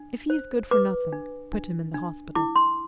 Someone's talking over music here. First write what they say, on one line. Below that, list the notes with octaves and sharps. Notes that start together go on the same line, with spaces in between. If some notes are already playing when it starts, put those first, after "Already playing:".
If he is good for nothing, put him in the hospital.
Already playing: D4
C5
B4 D6
D4
D4
D4
E4 D6
C6